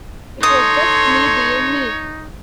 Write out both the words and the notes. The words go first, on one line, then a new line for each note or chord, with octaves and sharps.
It was just me being me.
D#4 A4 C#5 C6 D#6